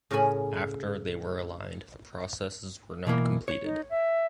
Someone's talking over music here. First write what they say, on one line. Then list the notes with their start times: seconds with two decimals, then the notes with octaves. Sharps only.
After they were aligned, the processes were not completed.
0.11 A2 C#3 A#4 C#5 G#5 B5
3.07 B2 E3 A#3
3.48 C#5
3.63 D#4
3.90 E5